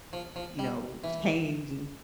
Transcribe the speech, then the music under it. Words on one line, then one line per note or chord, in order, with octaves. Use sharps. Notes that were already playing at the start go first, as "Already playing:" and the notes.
you know, change, and
F3
F3
G3
E3